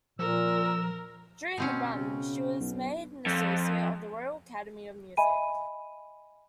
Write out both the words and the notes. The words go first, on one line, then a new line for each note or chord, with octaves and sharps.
During the run, she was made an Associate of the Royal Academy of Music.
A#2 F3 A#4 E6
B2 C4 C#4
C#3
B1
F2
D#5 E5 G#5 B5 D#7